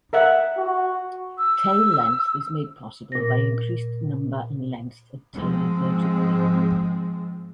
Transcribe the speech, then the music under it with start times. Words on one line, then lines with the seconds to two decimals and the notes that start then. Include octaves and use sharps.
Tail length is made possible by increased number and length of tail vertebrae.
0.13 A#4 E5 F#5
0.57 F#4
1.38 E6
3.12 A#2 A#6
5.33 G#2 F3 G#3 C4